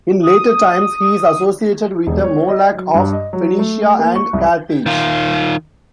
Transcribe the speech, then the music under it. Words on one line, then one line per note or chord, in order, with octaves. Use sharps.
In later times, he is associated with the Moloch of Phoenicia and Carthage.
D#6
E1
C#5
D#5
F#3
G2
D#5
F#3
A3
A#3
C#6
C2
D#3 F4